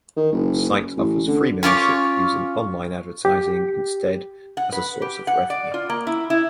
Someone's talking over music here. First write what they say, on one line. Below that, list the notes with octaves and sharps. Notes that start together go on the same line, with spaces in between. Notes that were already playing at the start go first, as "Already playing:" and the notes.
The site offers free membership, using online advertising instead as a source of revenue.
D#3
F#1
A1
D3
C#4 F4 C#5 D6
G4
F#5
B4
G4
F#5
D5
F4
A#3
E4
E4